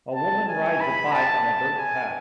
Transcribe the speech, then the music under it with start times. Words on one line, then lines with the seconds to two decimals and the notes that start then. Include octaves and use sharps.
A woman rides a bike on a dirt path.
0.15 A5
0.48 G#5
0.80 B5
1.12 A5
1.77 G#5